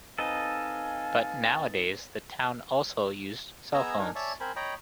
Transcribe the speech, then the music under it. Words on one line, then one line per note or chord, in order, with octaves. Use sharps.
But nowadays the town also used cellphones.
C4 D#4 A4 B4 D#5 F5 G#5
B3 G#4 D#5 G#5 A#5 E6
D4 D#4 A#4 G#5
C#5 D5 E5 G#5 A5
C4 A#4 C5 G#5 B5
C#5 D#5 G5 A#5 B5